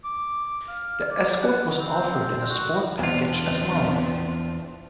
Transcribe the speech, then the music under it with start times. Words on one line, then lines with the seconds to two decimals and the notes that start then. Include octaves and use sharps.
The Escort was offered in a Sport package as well.
0.05 D6
0.68 F5
1.11 D5
1.42 F#5
1.79 C4
2.50 F#4
2.99 E2 B3 C4 D4 F4